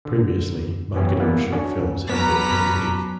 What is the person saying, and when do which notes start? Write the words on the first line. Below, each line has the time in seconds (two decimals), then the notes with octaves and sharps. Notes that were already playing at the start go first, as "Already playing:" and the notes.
Previously, marketing of short films had been prohibitive.
0.05 D3
0.95 E3 B3 C#4 G4 C#5
1.20 E3 G3 A#3 B3 B4 D5
1.52 C#4 D4 F#4 F#5
2.10 F#3 B3 C#4 D4 B4 A#5 B5 B6